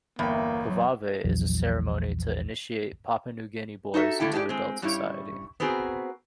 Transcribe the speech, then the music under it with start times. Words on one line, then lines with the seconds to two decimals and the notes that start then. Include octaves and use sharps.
Kovave is a ceremony to initiate Papua New Guinea boys into adult society.
0.19 G1 E2 A#3 G5
0.65 F#3
1.24 A#1 E2 F#3
3.94 D#4 F#4 A4 E5
4.20 D3 A3 A#3 E4 G5
4.32 G#3 A#3 D4 G4 D5
4.49 G#3 C4
4.82 G2 G3 C#4 E4 C#5
5.60 B3 C4 F#4 G#4 A#4